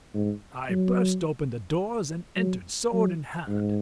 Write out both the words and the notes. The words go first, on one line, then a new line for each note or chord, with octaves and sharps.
I burst open the doors, and entered sword in hand.
G#2
F#3
F#3
F#3
G#2